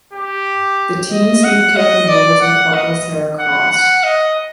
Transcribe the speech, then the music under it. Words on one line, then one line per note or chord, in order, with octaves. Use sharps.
The teens meet Captain Rhodes and Corporal Sarah Cross.
G4
D#5
F#5
D#5
D5
F#5
D#5
F#5
F#5
D#5